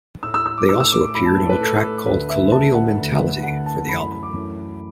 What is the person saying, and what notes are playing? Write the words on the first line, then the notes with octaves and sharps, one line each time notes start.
They also appeared on a track called "Colonial Mentality" for the album.
A2 A3 E6
E6
E6
D6
A2 A3 E6
E6
D6
D6
A2 A3 B5
A5
A5
B4
A2 A3 A4
A4
D2 D3 A3 B4
E5
D2 D3 A3 A5
F#5
D2 D3 A3
D2 D3 A3 F#5
A5
F#2 E3 A3 B5
B5
B5
D6
F#2 E3 A3